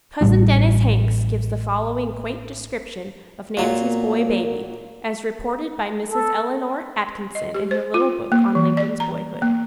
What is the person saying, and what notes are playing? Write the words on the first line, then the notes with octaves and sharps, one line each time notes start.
Cousin Dennis Hanks gives the following quaint description of "Nancy's boy baby," as reported by Mrs. Eleanor Atkinson in her little book on "Lincoln's Boyhood."
A1 A2 G3 D4
A#2 F#3 A#3
A4
D#5
G4
C5
F4
A#3
E3
D5
A#5
A#3